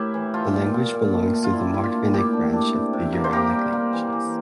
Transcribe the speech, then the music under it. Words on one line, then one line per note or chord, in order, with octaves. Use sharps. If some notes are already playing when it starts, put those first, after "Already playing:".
The language belongs to the Mordvinic branch of the Uralic languages.
Already playing: A2 E4 G4 A#4
E3
A3 F4
A#2
A#2
A#2
A3
A3
F4
D4 E4
A#2 E4
F4
A3
A#2 E4 G4
D4
D4
C3
C3
A#3
C5
A#3 G4 A#4
G3
A#3
E3
E3